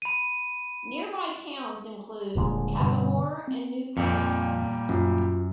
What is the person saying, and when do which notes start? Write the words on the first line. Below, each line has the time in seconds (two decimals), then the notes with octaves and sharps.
Nearby towns include Cappamore and Newport.
0.02 B5 D#7
2.35 D#1 A#2 D3 G#3
2.79 G2 B2 D3
3.48 C4
3.97 F2 A#2 G3
4.89 F#2 C#4 F4